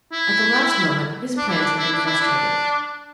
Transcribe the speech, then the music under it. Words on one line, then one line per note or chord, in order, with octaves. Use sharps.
At the last moment his plans had been frustrated.
E4
D4
E4
D4
E4
D4
E4
D4